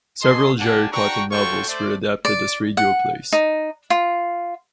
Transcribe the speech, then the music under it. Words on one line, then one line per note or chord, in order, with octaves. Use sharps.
Several Jerry Cotton novels were adapted as radio plays.
G#4 A4 D#5 C6
A#3 D4 G4 F#5 G#5 A5
D4 F#4 G5 A#5 C#6
F4 F#4 A4 C#5 G5 C#6
A3 C5 D5
D5
F#5
D#4
F4